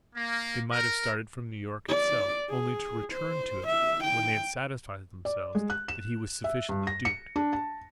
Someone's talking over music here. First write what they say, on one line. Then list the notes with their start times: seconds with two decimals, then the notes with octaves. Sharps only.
They might have started FROM New York itself--only to return to it when they had satisfied themselves that he was sufficiently duped.
0.16 A#3
0.72 A#4
1.88 D5
2.49 G#4
3.12 C5
3.67 E5
4.04 G5
5.25 D5
5.55 G#3
5.70 F#6
5.88 E7
6.44 E5
6.69 G2
6.87 A#6
7.05 C#7
7.36 D4
7.53 A5